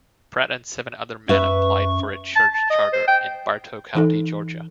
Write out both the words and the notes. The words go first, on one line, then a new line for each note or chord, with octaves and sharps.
Pratt and seven other men applied for a church charter in Bartow County, Georgia.
F#2 B4 E5 C#6
A5
A5
D#5
C5
G5
E3 D#4 A4